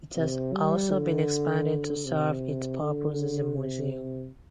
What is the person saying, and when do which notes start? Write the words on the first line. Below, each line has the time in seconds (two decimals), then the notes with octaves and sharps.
It has also been expanded to serve its purpose as a museum.
0.16 C3
0.54 G3
0.91 D3
2.05 C3
2.81 D3
3.57 C3